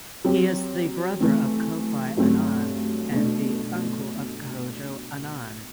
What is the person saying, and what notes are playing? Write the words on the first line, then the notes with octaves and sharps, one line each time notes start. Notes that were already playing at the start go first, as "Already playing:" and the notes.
He is the brother of Kofi Annan and the uncle of Kojo Annan.
F#3 C4 G4
E3 A3 C4
G2 F#3 A3 C4
B2 A3 D4